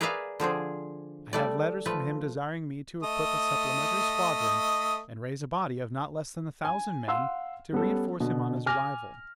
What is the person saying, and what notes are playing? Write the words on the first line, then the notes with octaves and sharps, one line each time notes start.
I have letters from him desiring me to equip a supplementary squadron and raise a body of not less than a thousand men to reenforce him on his arrival.
G#4 A#4 B4 D5 E5 F5
D3 F3 C4 G#4
G3 A3 D5
F3 A3 B4
A3 D#5 D#6
G#5
F5 F#5 C6 E6
G3 B3 C#4 A4
B2 D3
G#5 D6 F6 A#6